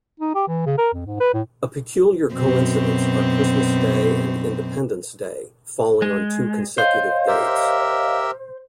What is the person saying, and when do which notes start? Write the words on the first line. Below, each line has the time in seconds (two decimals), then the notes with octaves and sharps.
A peculiar coincidence are Christmas Day and Independence Day, falling on two consecutive dates.
0.20 D#4
0.35 G4
0.48 E3
0.66 C#3
0.78 A#4
0.93 F2
1.06 G#2
1.20 B4
1.33 A2
2.34 F#2 B2 C4
6.02 G#3
6.78 C5 C#5 D#5 F5
7.28 G4 A#4 E5